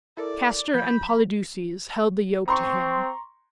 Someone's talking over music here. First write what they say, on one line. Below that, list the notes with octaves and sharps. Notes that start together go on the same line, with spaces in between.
Castor and Polydeuces held the yoke to him.
E4 A4 A#4 D5
F3 B5 G6
C4 A#5 C6 C#6